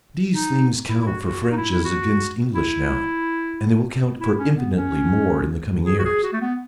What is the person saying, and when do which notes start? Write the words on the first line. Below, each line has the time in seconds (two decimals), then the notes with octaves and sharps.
These things count for French as against English now, and they will count for infinitely more in the coming years.
0.33 D#4
0.89 E4
1.03 E4
1.07 F#4
1.26 F#4
1.43 F#4
1.52 D#4
1.57 E4
1.72 E4
1.85 F#4
2.55 E4
4.20 E4
4.39 C#4
4.58 B3
4.76 C#4
5.86 G#4
5.99 F#4
6.05 G#4
6.24 F#4
6.33 A3
6.42 B3